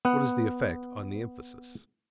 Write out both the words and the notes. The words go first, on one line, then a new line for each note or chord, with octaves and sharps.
What is the effect on the emphasis?
B3 F#5